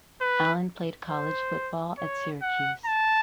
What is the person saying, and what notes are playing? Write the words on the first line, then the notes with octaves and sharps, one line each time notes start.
Allen played college football at Syracuse.
B4
C5
C#5
F#5
A5